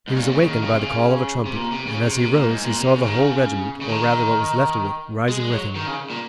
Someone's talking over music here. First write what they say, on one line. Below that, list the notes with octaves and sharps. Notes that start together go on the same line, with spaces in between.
He was awakened by the call of a trumpet, and, as he rose, he saw the whole regiment or rather, what was left of it, rising with him.
G#2
A#2
C#3
D#3
C#3
C3
C#3
C3
A#2
C3
C#3
C3
C3
A#2
G#2
A#2
C3
C#3
D#3
C#3
C#3
D#3
G#3
G#3
F#3
D#3
C#3
A#2